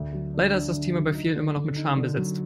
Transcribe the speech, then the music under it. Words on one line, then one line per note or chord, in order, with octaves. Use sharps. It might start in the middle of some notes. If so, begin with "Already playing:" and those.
Leider ist das Thema bei vielen immer noch mit Scham besetzt.
Already playing: D2
F#3
D4
D4
D3
F#3
D#4
D3
D3
D#4
D3
F#3